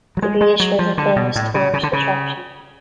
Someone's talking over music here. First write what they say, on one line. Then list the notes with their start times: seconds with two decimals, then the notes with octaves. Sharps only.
The glacier is a famous tourist attraction.
0.17 F#3
0.22 G#3
0.41 G#3
0.60 F#3
0.79 F3
0.98 D3
1.16 B2
1.36 A2
1.54 C#3
1.73 C#3
1.83 D3
1.93 C#3